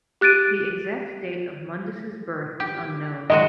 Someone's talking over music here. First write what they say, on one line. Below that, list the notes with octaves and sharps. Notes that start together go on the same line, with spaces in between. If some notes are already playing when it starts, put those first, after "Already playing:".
The exact date of Mundus's birth is unknown.
G4 F#6 A6 D7 D#7
G4
D#3 G#3 F#4 D#5